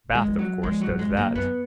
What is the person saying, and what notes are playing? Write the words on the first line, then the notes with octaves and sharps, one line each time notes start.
Bath of course does that.
D#3
G#3
F3
F#3
F3 G#3
F#3
G#2
G#3
F#2
A#3
F#2 B3